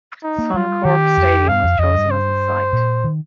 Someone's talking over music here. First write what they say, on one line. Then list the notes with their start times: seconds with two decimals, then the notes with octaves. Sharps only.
Suncorp Stadium was chosen as the site.
0.23 D#4
0.38 A#3
0.54 G3 F4
0.85 D#3 G4
1.17 F2
1.48 G2 F5
1.64 F2
1.79 F2 D#5
1.95 G2
2.11 C5
2.73 A#2
3.04 D#3